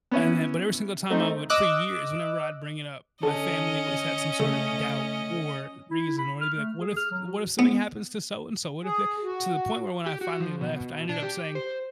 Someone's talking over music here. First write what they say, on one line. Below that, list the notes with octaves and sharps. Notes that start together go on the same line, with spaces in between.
and then but every single time I would for years, whenever I'd bring it up, my family always had some sort of doubt or reason, or they'd be like, "What if what if something happens to so and so? What if they" to the point where when I finally left, I ended up saying,
B3 C#4 E4
A3 C4 D#4
D#5 D6 E6 F#6
D3 C#4 A4 D#5
C#3 A3
E4
B5
F6
A3
G#4
F6
F#3
F#4
B3
G#4
F#4
G4
F#4
F3
B2
D4
G4
C5